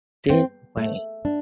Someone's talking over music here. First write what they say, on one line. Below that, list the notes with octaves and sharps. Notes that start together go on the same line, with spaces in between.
this way
C4
A3
D4